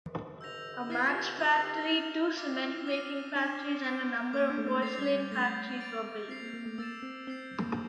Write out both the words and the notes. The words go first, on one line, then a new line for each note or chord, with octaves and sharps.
A match factory, two cement-making factories, and a number of porcelain factories were built.
E6 G6 A#6 F7
E4 F6 A6 C7
F4
G4
F4 E6 A#6 F7
G4
A6 E7 G7
F4 D6 F6 A#6
F4
E4
D6 F6 C7 G7
D4 F6 A6 E7 G7
D6 G6 D7 G7
A#3 D6 G6 D7
D4
A3
A#3
A3 A6 C7 F7
G3
G3
A3 G6 A#6 F7
A6 D7 F7
C4 G6 C7 F7
A#3
A#3
A3
A#3 E6 A6 E7
C4
C4 G6 C7 G7
A#3